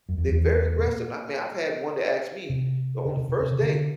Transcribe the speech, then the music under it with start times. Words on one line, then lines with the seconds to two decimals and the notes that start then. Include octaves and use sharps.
They're very aggressive, I mean, I've had one that asked me o on the first date,
0.09 F#2
0.18 F2
0.28 E2
0.78 B2
0.83 A#2
2.50 C3
3.05 C#3
3.17 C3
3.29 B2
3.40 C3
3.51 C#3
3.61 D3